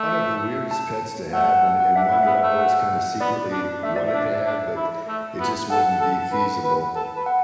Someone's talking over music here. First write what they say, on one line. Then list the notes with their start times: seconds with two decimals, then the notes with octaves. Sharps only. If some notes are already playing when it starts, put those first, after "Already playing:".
One of the weirdest pets to have, and and one that I've always kinda secretly wanted to have, but it just wouldn't be feasible,
Already playing: A3
0.09 E5
0.71 A5
1.33 A3 F#5
1.49 F#5
1.65 F#5
1.80 F#5
1.96 D4 E5
2.09 E4 F#5
2.23 B3 E5
2.42 A3
2.58 F#5
3.21 B3 D5
3.52 D4
3.83 A3 E5
3.96 D5
4.08 E5
4.14 D4
4.46 D4
4.76 E4
5.08 A3
5.40 B3
5.70 A4 F#5
6.01 A4
6.33 B4
6.64 B4
6.95 A4 A5
7.16 B4
7.26 F#5